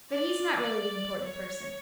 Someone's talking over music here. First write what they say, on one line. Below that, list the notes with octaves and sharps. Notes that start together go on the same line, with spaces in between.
But he's not really the important person.
D5
C#5